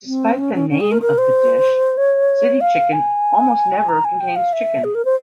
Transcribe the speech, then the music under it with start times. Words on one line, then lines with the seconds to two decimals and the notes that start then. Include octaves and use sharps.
Despite the name of the dish, city chicken almost never contains chicken.
0.06 C4
0.39 C#4
0.54 C#4
0.70 C#4
0.80 G#4
0.91 A#4
1.02 A#4
1.18 C5
1.97 C#5
2.61 F5
2.92 G#5
3.88 A#5
4.05 G#5
4.20 G5
4.36 F5
4.53 E5
4.84 G#4
4.95 A#4
5.05 C5